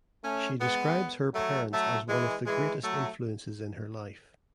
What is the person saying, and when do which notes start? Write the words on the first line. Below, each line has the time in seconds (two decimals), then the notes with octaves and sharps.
She describes her parents as one of the greatest influences in her life.
0.22 A3 C#4
0.60 G#3 B3
1.34 F#3 A3
1.71 F#3 A3
2.09 E3 G#3
2.46 E3 G#3
2.83 F#3 A3